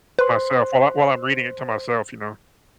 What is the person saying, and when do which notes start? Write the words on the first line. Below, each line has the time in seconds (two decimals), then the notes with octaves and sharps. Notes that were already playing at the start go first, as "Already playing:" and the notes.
myself while I while I'm reading it to myself, you know?
0.19 B4 C5 C6